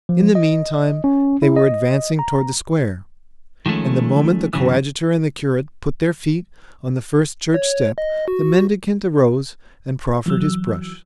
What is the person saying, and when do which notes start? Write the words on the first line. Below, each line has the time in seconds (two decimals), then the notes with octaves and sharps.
In the meantime they were advancing toward the square, and the moment the coadjutor and the curate put their feet on the first church step the mendicant arose and proffered his brush.
0.09 F3
0.35 D#5
1.04 C#4
1.42 E4
1.56 D#5
2.19 A#5
3.66 D#3 F3 G#3 A3 C#4
4.53 F#2 C#3 E3
7.54 C#5
7.98 D#5
8.28 F#4
10.26 E3 F#3 E6